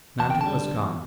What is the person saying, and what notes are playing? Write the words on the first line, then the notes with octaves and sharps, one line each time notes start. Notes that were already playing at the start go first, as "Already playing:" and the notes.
Manton was gone.
E2 A5
G5
A5
D3 G3
E2